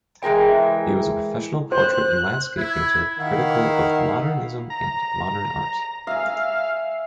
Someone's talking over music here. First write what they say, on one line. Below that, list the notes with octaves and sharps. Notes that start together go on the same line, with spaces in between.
He was a professional portrait and landscape painter, critical of modernism and modern art.
E3 G#3 A#4 G5
C5 F#6
E4 G#6
D#3 E4 F5 F#5
A#5
E5 F5 G#5